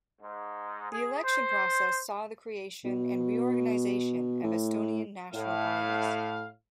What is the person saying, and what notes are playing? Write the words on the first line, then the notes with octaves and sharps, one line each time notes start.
The election process saw the creation and reorganization of Estonian national parties.
G#2
G#4
C5
B2
A2
A2 F5